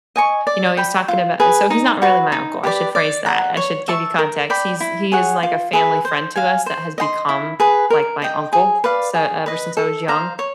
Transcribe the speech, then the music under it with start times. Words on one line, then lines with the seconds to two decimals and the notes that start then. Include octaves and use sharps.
you know, he's talking about so he's not really my uncle I should phrase that I should give you context. He's He is like a family friend to us that has become like my uncle, so ever since I was young.
0.16 D#5 G#5 C#6
0.47 D5
0.77 G5 B5
1.08 F4
1.40 G#4 B4
1.70 D#4
2.02 F#4 B4
2.32 D#4
2.64 G4 B4 D5
2.95 D5
3.26 F#5 A#5
3.57 C#5
3.88 E5 A5 C#6
4.19 A#4
4.50 D5 G5 B5
4.80 E4
5.12 G#4 C#5 F#5
5.43 F4
5.73 G#4 B4 E5
6.05 C5
6.36 F5 G#5
6.66 C5
6.98 D#5 G5 C6
7.29 E4
7.60 G#4 B4
7.90 A#4
8.22 D#5 G5
8.53 G#4
8.84 B4 D5 F5
9.14 G#4
9.46 B4 D#5
9.77 A4
10.08 C5 F5 A#5
10.39 C#5